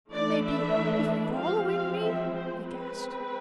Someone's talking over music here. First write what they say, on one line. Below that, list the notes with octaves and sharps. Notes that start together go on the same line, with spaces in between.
"Can they be--be following me?" he gasped.
E3 A3 D4 D5
E5
F3 G#3 C4 F5
F5
E5
C5
G#3 C4 B4